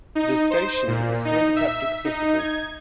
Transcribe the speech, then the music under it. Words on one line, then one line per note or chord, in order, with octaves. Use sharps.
The station is handicapped-accessible.
D#4
C5
A#2
D#4
E5
D#4
G#6